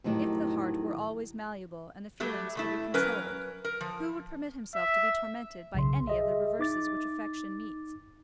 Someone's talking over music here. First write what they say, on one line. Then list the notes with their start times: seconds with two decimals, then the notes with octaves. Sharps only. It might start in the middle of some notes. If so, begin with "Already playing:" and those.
If the heart were always malleable and the feelings could be controlled, who would permit himself to be tormented by any of the reverses which affection meets?
0.04 F2 A2 D#3 F#3 G4
2.20 F#3 G3 A3
2.55 B2 A3 E4
2.94 F#3 C#4 A#4 B4
3.65 A#4
3.81 F3
4.75 E5
5.74 B1 C#3 C6
6.07 G#4 D#5 E5
6.59 D#4 D6 A6